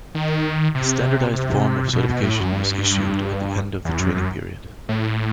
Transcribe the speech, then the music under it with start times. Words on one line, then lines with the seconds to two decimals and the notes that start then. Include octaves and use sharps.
A standardised form of certification was issued at the end of the training period.
0.15 D#3
0.75 C3
1.34 C3
1.93 B2
2.23 A2
2.40 F#2
2.52 G2
3.85 E2
3.99 F#2
4.15 F#2
4.89 A2